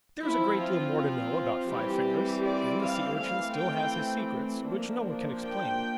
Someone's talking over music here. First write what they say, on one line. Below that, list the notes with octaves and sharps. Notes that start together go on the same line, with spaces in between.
There is a great deal more to know about Five-fingers; and the Sea-urchin still has his secrets which no one can explain.
F3 C4 E4
F4
F4
E3 G3 C4 G4
D5
F5
E3 A3 C4 F5
G5
F3 A#3 D4
G5